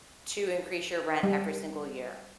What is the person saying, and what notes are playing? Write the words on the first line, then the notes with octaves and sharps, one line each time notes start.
To increase your rent every single year
G3